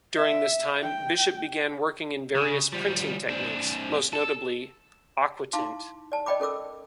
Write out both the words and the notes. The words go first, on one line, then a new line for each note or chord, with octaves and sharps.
During this time, Bishop began working in various printing techniques, most notably aquatint.
E5
G5
C#3
F3 G3
C4 D4
A4
D#4 E4 F5 A5 C6 D6
D5 A5
D5 D#5 G5 B5 D6
C#4 A4 A#4 D6 E6